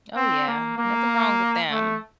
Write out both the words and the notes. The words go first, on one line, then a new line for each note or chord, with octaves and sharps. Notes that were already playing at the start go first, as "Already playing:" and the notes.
Oh, yeah. Nothing wrong with them.
C4
A#3
A#3
A3